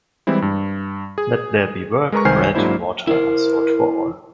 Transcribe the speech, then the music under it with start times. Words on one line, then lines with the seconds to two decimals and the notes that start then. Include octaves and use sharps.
Let there be work, bread, water and salt for all.
0.27 E3 G3 G#3 C4 E4
0.42 G2
1.18 G#4
2.12 G#3 A#4 B4 A#5 C#6
2.25 C2 D#3 C5 G#5 F6 C7
2.55 G#2 F#3 A#3 D4 E4 C5
3.07 E4 A#4 C5